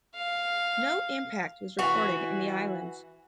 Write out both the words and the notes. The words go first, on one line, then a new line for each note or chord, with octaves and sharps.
No impact was reported in the islands.
F5
E3 F#4